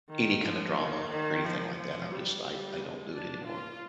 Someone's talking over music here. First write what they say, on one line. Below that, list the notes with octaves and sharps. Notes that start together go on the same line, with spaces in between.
any kind of drama or anything like that, I'm just I I don't do it anymore,
D#3
F3
D#3
D#3
F3
F3
G3
G3
G#3
D4
F4